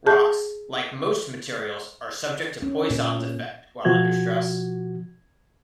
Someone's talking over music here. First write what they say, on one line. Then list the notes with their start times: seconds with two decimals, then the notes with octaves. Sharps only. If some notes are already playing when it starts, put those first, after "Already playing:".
Rocks, like most materials, are subject to Poisson's effect while under stress.
0.06 G#4 A5 G6
2.62 C#4
2.90 A#2
3.85 B2 F3 F#4 G#6